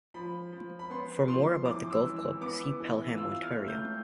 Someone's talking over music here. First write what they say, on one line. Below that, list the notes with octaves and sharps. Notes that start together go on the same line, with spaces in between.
For more about the golf club, see Pelham, Ontario.
F3 B5
F3
B5
B3 C6
F3 C6
E3 D6
E6
E3
E6
B3 D6
E3
F4 E6
F6
A3
G6